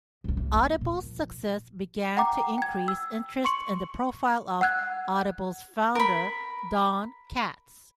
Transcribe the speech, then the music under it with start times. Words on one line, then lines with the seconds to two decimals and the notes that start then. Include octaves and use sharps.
Audible's success began to increase interest in the profile of Audible's founder, Don Katz.
0.24 C#2 G#2
0.37 E3
0.56 A#3
0.81 A#2 F3
2.17 F#5 G5 A#5 D6
2.58 G5 G#6
2.88 E6
3.45 C6 C#6 C#7 F#7
4.61 F#5 E6 F#6 G#6
5.95 A#4 B5